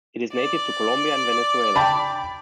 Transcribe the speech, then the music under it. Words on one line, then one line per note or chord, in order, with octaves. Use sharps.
It is native to Colombia and Venezuela.
D5
G5 A5 B5